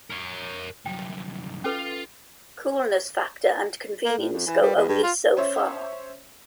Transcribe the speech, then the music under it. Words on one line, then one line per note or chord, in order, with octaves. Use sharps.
Coolness factor and convenience go only so far.
A#4 C#5
C2 F#2 G5
C#4 F4 A4 B4
A#3
A2
F2
E3
G3
E2
G2
F4
C#4 C5 C#5 E5